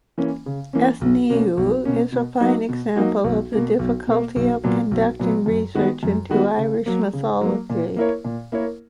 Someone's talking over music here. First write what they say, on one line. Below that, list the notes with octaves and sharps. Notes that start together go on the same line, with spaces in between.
Ethniu is a fine example of the difficulty of conducting research into Irish mythology.
E3 A#3 C#4
C#3
E3 A#3 C#4
B1
B2 A#3 C#4
B1
B2 A#3 C#4
B2
F#3 A#3 D#4 F#4
B2
F#3 A#3 D#4 F#4
B1
B2 A#3
B1
B2 A#3
B1
A#2 F#3 B3
B1
A#2 F#3 B3
F#2
D#3 G#3 B3 F#4
F#2
D#3 G#3 B3 F#4
C#3
F#3 A#3
C#3
F#3 A#3
A#2
A#3 E4 A#4 C#5
A#2
A#3 E4 A#4 C#5